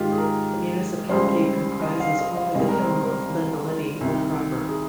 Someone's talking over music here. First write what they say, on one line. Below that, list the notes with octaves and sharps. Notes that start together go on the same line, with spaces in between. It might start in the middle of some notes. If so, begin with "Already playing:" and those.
The municipality comprises only the town of Lendelede proper.
Already playing: G#2 D#3 G#3 F4 G4
G#4
A#4
C#2 C#3 G3 C5
D#5
F5
D#5
F5
C#2 C3 G3 D#5
A#4
C5
A#4
C2 C3 D#3
G#4